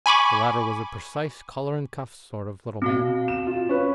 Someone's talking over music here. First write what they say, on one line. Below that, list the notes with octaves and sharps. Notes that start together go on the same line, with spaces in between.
The latter was a precise, collar-and-cuffs sort of little man.
G#5 B5 C#6 D6
B2 C4 F#4 F5
E7
F4
C#4 B4